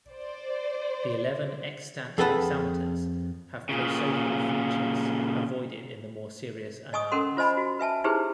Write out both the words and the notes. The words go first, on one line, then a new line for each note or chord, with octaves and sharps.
The eleven extant hexameters have prosodical features avoided in the more serious "Annales".
C5 D5
F2 G#4 A4 B4 F#5 A5
A#2 C#3
D#5 G#5 C#6 D#6
C#4 A4 A#4 F#5 C6
F4 C5 D#5 G#5 B5
F#4
B4 E5 G#5 A5
D#4 E4 G4 G#4 B4 C5